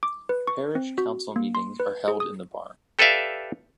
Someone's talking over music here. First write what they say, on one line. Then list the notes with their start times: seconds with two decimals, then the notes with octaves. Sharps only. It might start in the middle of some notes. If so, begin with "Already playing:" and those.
Parish council meetings are held in the Barn.
0.03 D6
0.29 B4
0.47 C#6
0.75 C4
0.98 F#4
1.36 A#3
1.55 C6
1.80 B4
2.08 G#4
2.20 D#6
2.99 G4 A4 B4 D5 E5 F5